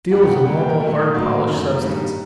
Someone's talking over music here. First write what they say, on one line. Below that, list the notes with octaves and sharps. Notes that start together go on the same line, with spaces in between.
Steel is a normal, hard, polished substance.
F#2 D#3 G3 F#5
G5
F#5
A#2 G3 A#3 G5
G5
A#4
A#2 F#3 A3 A4
F#4
D#4
A2 F#3 A#3 F#4
F#2 D#3 A3
G2 D#3 G3 A#3